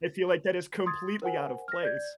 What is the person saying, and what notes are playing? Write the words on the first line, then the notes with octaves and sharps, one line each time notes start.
I feel like that is completely out of place.
C6 D#6 G#6 A6
A#4 C5 F#5 G#5
F6 A#6
D5 G6 G#6